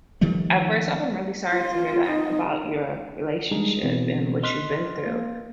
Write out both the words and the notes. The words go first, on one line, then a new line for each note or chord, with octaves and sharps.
at first off, I'm really sorry to hear that about your relationship and what you've been through,
D#3 F3 G3 A3
F4
D#4
G3 G#3 D4 D#4 G#4
B2 E3 C4
D#5 C6 F6 F#6 B6
A#3